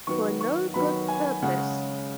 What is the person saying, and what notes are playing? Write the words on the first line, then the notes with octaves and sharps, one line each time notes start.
For no good purpose.
D#3 F#3 B3 C#6
C#6
D#3 F#3 B3 B5
G#5
C#3 G#3 C#4 F#5